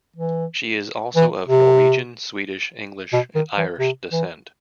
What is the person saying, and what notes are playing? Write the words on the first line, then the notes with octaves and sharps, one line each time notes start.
She is also of Norwegian, Swedish, English and Irish descent.
E3
E3
C3
B2
D#3
E3
C3
E3